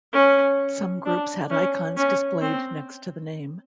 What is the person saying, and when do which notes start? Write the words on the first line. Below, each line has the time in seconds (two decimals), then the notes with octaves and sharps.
Some groups had icons displayed next to the name.
0.13 C#4
1.06 D4
1.51 C#4
1.97 C#4
2.42 C4